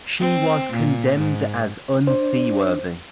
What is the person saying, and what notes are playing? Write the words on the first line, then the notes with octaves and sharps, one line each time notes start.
She was condemned as unseaworthy.
C4
A#2
G#2
D4 C5